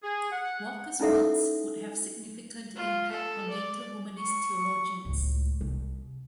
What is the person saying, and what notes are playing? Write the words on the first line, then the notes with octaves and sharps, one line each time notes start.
Walker's works would have significant impact on later womanist theologians.
G#4
F#5
C#4 D#4 E4 A4 E5 F#5
F4
A4
D5
C#6
C#2 A2
C2